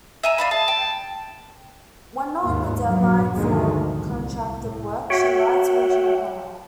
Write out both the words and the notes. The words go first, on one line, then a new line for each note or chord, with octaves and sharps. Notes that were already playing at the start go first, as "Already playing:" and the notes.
When not on deadline for contracted work, she writes original horror.
D#5 E5 G#5 A#5
D5 F5 B5
G#4 A5
G5
D#2 G#2 B3
A#1 G2 F3 F#3
D2 G2 A#2 D#3 F3 G#3
C2
A2
F#4 C#5 E5 F#5 G5